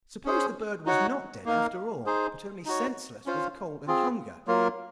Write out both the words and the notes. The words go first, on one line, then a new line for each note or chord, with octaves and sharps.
Suppose the bird was not dead after all, but only senseless with cold and hunger!
C#4 G#4 C5
D#4 F#4 C#5 F#5
A#3 D#4 A#4 F5
D#4 G#4 C5
D#4 F#4 C#5
C#4 F4 C5 F5
C4 F4 G#4
F#3 A#3 F4 A#4